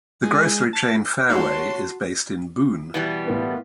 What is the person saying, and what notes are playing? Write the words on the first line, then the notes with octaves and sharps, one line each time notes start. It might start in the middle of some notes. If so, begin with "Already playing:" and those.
The grocery chain Fareway is based in Boone.
G#3
A5
G#3 A#3 D#4 F#4 C#5 A5 C6
B2 E3 G3
A2 A#3 B3 E4 F4